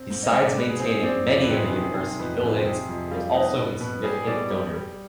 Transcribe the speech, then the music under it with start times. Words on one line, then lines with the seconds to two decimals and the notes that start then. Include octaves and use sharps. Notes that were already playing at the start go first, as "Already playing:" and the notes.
Besides maintaining many of the university buildings, it is also a significant donor.
Already playing: C4
0.10 G#2
0.23 D#5
0.33 G#2 D5
0.45 D5
0.57 G#2 B4
0.68 G#4
0.80 C4 G#4
1.03 C4 D5
1.26 F2 D5
1.42 B4
1.50 C3
1.57 G#4
1.66 B4
1.72 D#3 G#4
1.95 C3
2.19 F2 B4
2.35 B4
2.42 C3
2.49 C5
2.64 C3 G#4
2.89 F2
3.11 G3 F4
3.34 B3 D#4
3.58 B2
3.80 B2 B4
4.03 G3 G#4
4.27 B2 D5
4.50 G3
4.74 G3